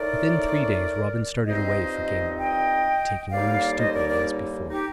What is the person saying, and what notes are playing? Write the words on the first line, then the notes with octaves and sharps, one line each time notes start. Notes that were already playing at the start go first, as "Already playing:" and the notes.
Within three days Robin started away for Gamewell, taking only Stuteley, as before.
Already playing: A2 A3 D#4 A#4 D5
G2 F3 C4 D#4 C5 D#5
D#5 G5
D#2 D3 G3 A#3 D#4 D5 F5
C5 D#5
A#4 D5
A#4 D5
D#4 G4